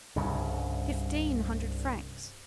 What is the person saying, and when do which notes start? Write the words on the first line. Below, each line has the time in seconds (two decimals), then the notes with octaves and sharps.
Fifteen hundred francs!
0.16 C2 G2 C#3